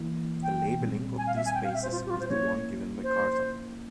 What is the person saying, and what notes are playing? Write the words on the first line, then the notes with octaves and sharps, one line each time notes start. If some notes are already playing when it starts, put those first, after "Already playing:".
The labelling of these spaces is the one given by Cartan.
Already playing: E3 A#3 E4
G5
A#2 G3 C4
G#5
F5
E5
G#5
G5
F5
E5
C5
F4
G4
F4
C5
F3 A#3 C#4 E4 C#5
C5